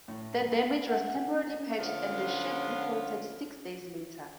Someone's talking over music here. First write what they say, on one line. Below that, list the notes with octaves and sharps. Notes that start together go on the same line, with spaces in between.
The damage was temporarily patched and the ship refloated six days later.
A2
A#3
F#5
D3 F3 B3 C#4 F4